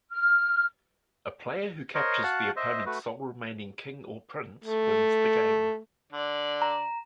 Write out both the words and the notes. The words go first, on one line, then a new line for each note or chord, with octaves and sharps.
A player who captures the opponent's sole remaining king or prince wins the game.
F6
A#4 C5 C#5 D#5
F#4 F5 F#5 A5 F#6
C5 D#5 E5
A3 F#4 B4
A3
D3 D5
A#5